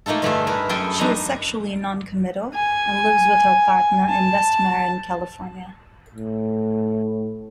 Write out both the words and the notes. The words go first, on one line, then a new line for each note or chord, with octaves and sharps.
She is sexually noncommittal, and lives with her partner in West Marin, California.
A3 A#3 D#4 F4 A4
G2 D3 A3 F4 G#4 E5
E4 A#4 B4
F#2 G#4 A4 G5 G#5 C6
F#2 D4 D#4 G#5 A#5
G#5
A5
A2